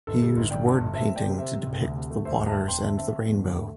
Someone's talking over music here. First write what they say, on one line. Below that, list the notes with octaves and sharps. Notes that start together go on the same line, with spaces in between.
He used word painting to depict the waters and the rainbow.
G1 A4
G3
G1
G1 D5 G5
G2
G1
C4 E5 A5
C4
D5 G5
C3
C3 C5 E5
C4
C2
D2
C3
A3
D2 C5 E5
E1
E5 A5
E1
C4 G5 C6
D3 E5 A5
C4 E5 A5
C4
E2
D3
A3